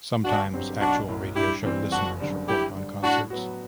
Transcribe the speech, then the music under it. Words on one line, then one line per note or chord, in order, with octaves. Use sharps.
Sometimes, actual radio show listeners report on concerts.
G1 D4 F#4
G2 F#3 C4 G4
B1 D4 F#4
A2 F#3
G2 E4 G4
E3 G3 C4
F#1 D4 F#4
F#2 D3 G3
G2 E4 G4
D3 G3
A2 D4 F#4
F#3 B3 F#4